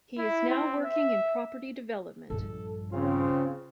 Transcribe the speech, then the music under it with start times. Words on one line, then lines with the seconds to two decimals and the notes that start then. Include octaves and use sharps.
He is now working in property development.
0.18 E4
0.50 C4
0.85 E5
2.30 A#1 G2 A4
2.91 C#3 C4 F4